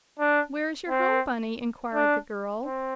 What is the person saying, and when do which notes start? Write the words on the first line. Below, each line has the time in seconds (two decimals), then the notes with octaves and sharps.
"Where is your home, bunny?" enquired the girl.
0.19 D4
0.89 C4
1.95 D4
2.64 C4